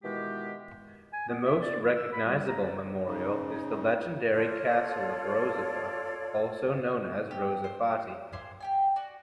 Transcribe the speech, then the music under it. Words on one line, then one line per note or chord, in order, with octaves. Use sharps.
The most recognizable memorial is the legendary Castle of Rozafa known also as Rozafati.
B2 D#3 E3 G#3 G4
G#5
B3
E5
D5
E4
E6
B5
G3
A#5
D5
C#3 D#4
F4 A4 C#5 D5
G4
C5
G4 G#4 C5 C6
G4 G5 G#5
F#4 D5